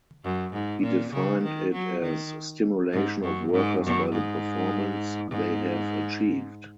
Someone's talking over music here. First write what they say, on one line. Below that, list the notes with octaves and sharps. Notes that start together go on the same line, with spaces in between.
He defined it as: Stimulation of workers by the performance they have achieved.
F#2
G#2
A#2
C#3
D#3
F#3
D#3
G#2
F#2
G#2
F#2
G#2
G#2